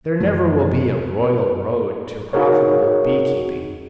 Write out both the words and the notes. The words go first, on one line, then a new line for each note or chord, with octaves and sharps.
There never will be a "royal road" to profitable bee-keeping.
F#2 E3 F3 A3
D#4 F#4 G#4 A#4 C#5